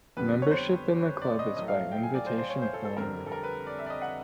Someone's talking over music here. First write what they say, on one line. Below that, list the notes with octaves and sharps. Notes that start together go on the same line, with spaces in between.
Membership in the club is by invitation only.
F2 D3 G3 B3 B4
C#5
C5
D5
D#5
A2 F#3 A3 D#5
F5
G5
G#5
D5
C5
C5
C#5
C5
A4
A4
F2 D3 G3 C4 A#4
A4
A#4
B4
D5
E5
D5
D#5
F#5